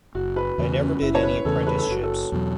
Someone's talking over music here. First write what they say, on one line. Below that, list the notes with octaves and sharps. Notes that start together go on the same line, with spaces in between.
I never did any apprenticeships.
F#1 F#4
B4
E2 C#3
C#4
F#1 E4
C#5
B4
E2 C#3 A4
B4
A4
F#1 F#4
A4
E2 B2 F#3